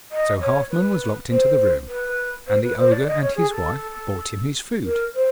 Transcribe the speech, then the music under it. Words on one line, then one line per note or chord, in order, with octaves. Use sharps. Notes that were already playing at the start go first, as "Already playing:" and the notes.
So Halfman was locked into the room, and the ogre and his wife brought him his food.
D#5
C#5
B4
C5
B4
C5
B4
C5
D5
D#5
C#5
G#4
A4
A#4
C5